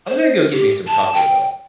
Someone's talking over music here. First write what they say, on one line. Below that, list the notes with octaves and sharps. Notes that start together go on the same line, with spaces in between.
I'm gonna go get me some Taco Bell
C5
G4
A5
G5